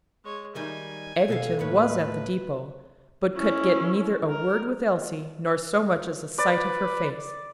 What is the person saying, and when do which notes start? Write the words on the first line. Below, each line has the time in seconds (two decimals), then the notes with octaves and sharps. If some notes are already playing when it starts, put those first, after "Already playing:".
Egerton was at the depot, but could get neither a word with Elsie, nor so much as a sight of her face.
0.24 G#3 C#5
0.55 D#3 G3 D#4 G#5
1.28 B2 A4 F5
1.59 D#2 A2 B4 C#5
3.36 C#4 E4
4.29 A#4
6.38 B4 D5